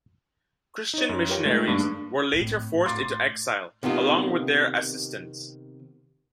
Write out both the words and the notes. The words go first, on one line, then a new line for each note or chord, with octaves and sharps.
Christian missionaries were later forced into exile, along with their assistants.
D#4 C#5
F#2
F4 G4 A#4 B4 C#5 G5
D#3 G#3 A3
G2 A#3 D4
G#1 A2 G#3
C6 D6 A6
C3 D#3 B3 F4